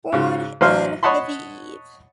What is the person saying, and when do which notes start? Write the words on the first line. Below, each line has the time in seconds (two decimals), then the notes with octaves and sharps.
Born in Lviv.
0.12 G#2 C#3 F#4
0.61 A1 F#3 C5 F5 C6 F6
1.03 C#5 D#5 F#5 A5 B5 C6